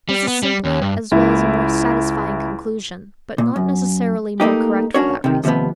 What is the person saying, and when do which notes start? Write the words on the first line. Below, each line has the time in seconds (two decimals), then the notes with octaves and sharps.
It is a simpler as well as a more satisfying conclusion, but not necessarily more correct for that reason.
0.09 G3
0.27 B3
0.43 G3
0.65 D#2
0.82 G2
1.11 C#2 E4
3.38 A#2
3.56 F#2
4.40 A3 A#3 D#4 G4
4.94 C#4 D4 F#4 A#4 C#5
5.24 C3 D#3
5.44 D#2 C3 D#3 F3 B3